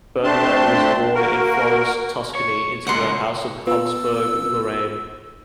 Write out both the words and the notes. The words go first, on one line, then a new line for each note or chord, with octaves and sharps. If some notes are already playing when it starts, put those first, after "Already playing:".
Ferdinand was born in Florence, Tuscany, into the House of Habsburg-Lorraine.
A3 C4 D4 A5 C6
A#3 F#4 A#4
C#5
C#2 A#2 F#5 C6
B3 F4 E6